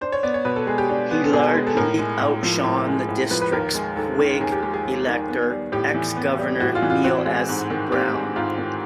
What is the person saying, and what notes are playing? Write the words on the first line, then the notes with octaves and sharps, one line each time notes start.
He largely outshone the district's Whig elector, ex-Governor Neill S. Brown.
D4 C5
C#5
B3 D5
C#5
B2 B4
A4
G#3 G#4
G4
D4
B3
A4
B2 G#4
G#3
A4
A2 A#4
G#3
A2
F3
A2
G#3
A2
F3 B4
B4
D#2 A#4
G#3
D#2 A4
D#3
D#2 G#4
G4
G#3 G4
G#4
D#2
D#3
B3
G3
A2 G4
E3
B3
G3
A2 F#4
F4
E3
F4
C4 F#4
G#3
G#2
D#3
C4 G4
G#3
G#2 F4
D#3